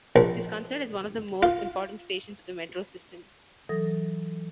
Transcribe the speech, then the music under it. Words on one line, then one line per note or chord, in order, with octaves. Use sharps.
It is considered as one of the most important stations of the Metro system.
A#1
F4
E3 F#3 A4 D#6 A#6